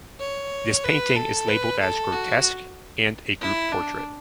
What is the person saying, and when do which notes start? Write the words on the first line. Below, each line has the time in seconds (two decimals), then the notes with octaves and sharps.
This painting is labelled as "grotesque" and "a group portrait".
0.20 C#5
0.84 B4
1.16 A4
1.48 B4
1.80 A4
2.12 F#4
3.41 E4
3.72 D4